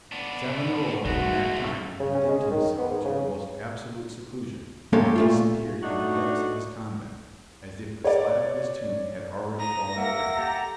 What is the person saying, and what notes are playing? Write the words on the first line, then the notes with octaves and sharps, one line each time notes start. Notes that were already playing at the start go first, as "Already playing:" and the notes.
Savonarola from that time condemned himself to the most absolute seclusion, and disappeared in the depths of his convent, as if the slab of his tomb had already fallen over him.
B3 D4
D#3 G#3 A3 C4 F#4
C#3
C#4
G#3
D#3
B3
G#2
C#3
G#3 A#3 C#4 G4 A4 C#5
A#2 A3 F4
A2 A3 D4 D#4 F#4
C#5 D5
A#5 D#6 A#6
A#3 A#4 E5 F#5
G4 A4 A#5